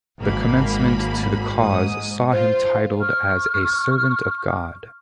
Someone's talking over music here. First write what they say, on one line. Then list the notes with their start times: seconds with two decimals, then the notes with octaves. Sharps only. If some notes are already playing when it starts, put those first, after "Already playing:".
The commencement to the cause saw him titled as a Servant of God.
0.22 G#1 A#3 B5
1.60 G#2 D#6
2.32 F4 C5
3.00 C#6 F6